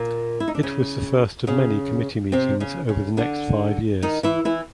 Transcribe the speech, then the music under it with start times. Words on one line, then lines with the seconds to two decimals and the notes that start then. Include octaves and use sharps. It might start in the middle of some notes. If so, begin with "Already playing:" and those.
It was the first of many committee meetings over the next five years.
Already playing: A#2 A#3
0.40 E4
0.48 D#4
0.55 D4
0.63 C#3 C#4
1.47 C#3 C#4
2.32 C3 C4
2.60 C#3 C#4
2.89 C#3 C#4
3.17 D3 D4
4.02 D#3 D#4
4.23 E3 E4
4.45 E3 E4